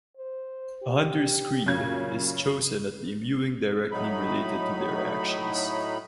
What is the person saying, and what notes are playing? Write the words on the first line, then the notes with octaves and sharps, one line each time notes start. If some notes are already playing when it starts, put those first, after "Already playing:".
A Hunter's creed is chosen at the imbuing directly related to their actions.
C5
G4
F#2 A#2 C#3 G#6
A2 F#3 D#4 B5